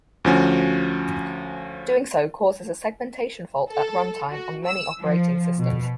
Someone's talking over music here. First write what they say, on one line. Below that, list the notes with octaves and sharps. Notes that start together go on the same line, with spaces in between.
Doing so causes a segmentation fault at runtime on many operating systems.
D2 F3 C#4 F#4
A4
F#4
E6
F3
B2